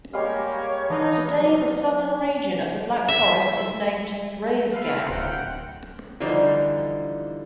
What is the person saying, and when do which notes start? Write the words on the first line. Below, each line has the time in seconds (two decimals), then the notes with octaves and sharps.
Today the southern region of the Black Forest is named Breisgau.
0.13 G3 G#3 A#3 G4 C#5 F5
0.90 E3 D4 D#4 F5
1.40 C3 F#3 G4
3.08 E5
4.72 A4 B4 F5
5.10 D1 F#5 G5
6.20 D3 E3 F3 G3 D#4